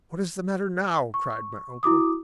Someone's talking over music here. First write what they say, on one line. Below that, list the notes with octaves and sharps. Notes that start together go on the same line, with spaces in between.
"What is the matter now?" cried my uncle.
C#6
E4 F#4 D6 D#6